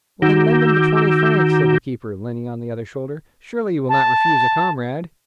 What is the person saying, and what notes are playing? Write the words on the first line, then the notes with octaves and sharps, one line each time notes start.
"Well, then, lend him the twenty francs," said the keeper, leaning on the other shoulder; "surely you will not refuse a comrade!"
D#3 F#4 A#5 D6 E6 G6
A5